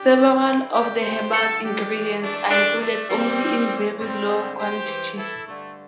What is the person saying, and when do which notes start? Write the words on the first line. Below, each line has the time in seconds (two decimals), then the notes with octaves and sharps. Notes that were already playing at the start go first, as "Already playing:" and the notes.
Several of the herbal ingredients are included only in very low quantities.
Already playing: D4 G4
0.14 G2 E3
0.43 C4 E4
0.73 G2 D3 D4 G4
1.02 G4 C5
1.32 G2 D3 E4 A4
1.61 D4 G4
1.91 G2 E3
2.20 A3 D4
2.50 G2 E3 A3 D4
2.80 A3 D4
3.09 G2 E3 G3 C4
3.68 A2 E3
3.98 G3 C4
4.28 G2 D3
4.57 G4 C5
4.87 G2 E3
5.16 E4 A4
5.46 G2 D3 A3